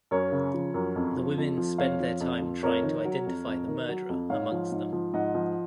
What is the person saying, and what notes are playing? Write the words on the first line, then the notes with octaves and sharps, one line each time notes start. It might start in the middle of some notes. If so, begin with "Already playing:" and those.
The women spend their time trying to identify the murderer amongst them.
F#2 A#4 C#5
C#3
F3
F#2
F2
F3
F2
F3
F2 C#5 F5
F3
F2
F3
F2 A#4 C#5
D#3
F#3
F2
F2
D#3
F#3
F2
G#2 C#5 F5
F3
G#2
F3
G#2 D#5 F#5
F3